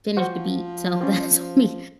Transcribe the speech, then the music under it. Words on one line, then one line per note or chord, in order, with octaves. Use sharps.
finish the beat, so, that's on me,
F3 F#4 C5 F#5
C#4 F4 C5